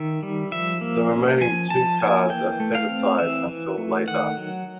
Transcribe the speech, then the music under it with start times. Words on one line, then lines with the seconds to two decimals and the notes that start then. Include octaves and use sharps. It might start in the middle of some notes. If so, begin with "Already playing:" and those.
The remaining two cards are set aside until later.
Already playing: D#3 E5
0.23 G3
0.52 F3 E5
0.81 A#3
1.11 C#4
1.41 F3 G#5
1.70 F3 A5
2.00 A#3 G#5
2.30 E3 G5
2.60 A3
2.75 F5
2.89 C4
3.19 E3 E5
3.48 E3
3.78 A3
4.08 D#3 F#5
4.37 F#3